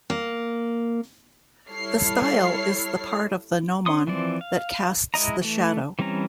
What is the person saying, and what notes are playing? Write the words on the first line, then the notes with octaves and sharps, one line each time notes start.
The style is the part of the gnomon that casts the shadow.
A#3
G3 E4 A4 C#5 F6 C7
C#4 C6 D#6
E3 F3 C4 D5
F5
G#3 E4 D#5 A#5
E3 A3
E3 G3 C4 C#4 A#5